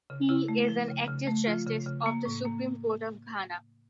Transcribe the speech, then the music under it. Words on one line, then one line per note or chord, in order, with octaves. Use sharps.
He is an active Justice of the Supreme Court of Ghana.
C#3
C#3 E4
A3
F3
C#3
C#3
A3
F3 F4
C#3
C#3
A#3
A2
A#3